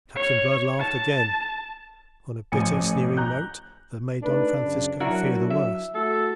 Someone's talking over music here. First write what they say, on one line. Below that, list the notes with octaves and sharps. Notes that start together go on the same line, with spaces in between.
Captain Blood laughed again, on a bitter, sneering note that made Don Francisco fear the worst.
C#5
A5
A1 F3 G#5 C#7
A#5 F#6 G6
A3 D4 D#4 B4
F#2 C#3
F#3 E4 F#4 A#4
E5
A3 E4 F#4 A4